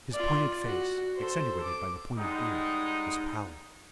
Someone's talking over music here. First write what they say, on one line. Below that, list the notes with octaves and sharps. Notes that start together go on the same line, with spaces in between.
His pointed face, accentuated by the pointed beard, was pallid.
F4 D5
F#4
A4 C5
D6
G3 G#3 D#4 F#5